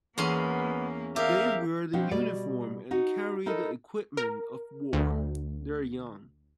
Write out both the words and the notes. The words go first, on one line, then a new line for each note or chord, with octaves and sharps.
They wear the uniform and carry the equipment of war; they are young.
E2 A#3 B3 C#4 C6
G4 A#4 E5 F5
B2 F3 C4 D4 F#4
B2 G3 D5
D#4 F#4 F#5
D#4 E4 A4 A#4 D#5
A#4
D2